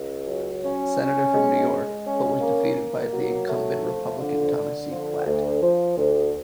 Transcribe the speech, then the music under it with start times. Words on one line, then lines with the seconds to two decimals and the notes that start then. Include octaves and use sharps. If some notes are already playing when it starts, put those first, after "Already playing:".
Senator from New York, but was defeated by the incumbent Republican Thomas C. Platt.
Already playing: C#2
0.28 F#3
0.63 C#4
0.99 C#4
1.34 G#3
1.70 G#3
2.05 C#4
2.41 A#3
2.76 A#3
3.12 F#3
3.48 A3
3.83 F3
4.19 D3
4.54 D3
4.90 F3
5.26 D2
5.61 F3
5.97 D2